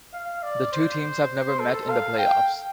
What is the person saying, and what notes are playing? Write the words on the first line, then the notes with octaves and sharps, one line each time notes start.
The two teams have never met in the playoffs.
F5
D5
C5
A4
F5
G5